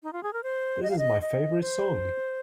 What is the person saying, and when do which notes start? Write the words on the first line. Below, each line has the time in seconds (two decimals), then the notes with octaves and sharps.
This is my favorite song!
0.03 D#4
0.13 F4
0.23 G#4
0.33 A#4
0.43 C5
0.83 D#5
0.90 F5
0.98 D#5
1.22 D#5
1.61 C5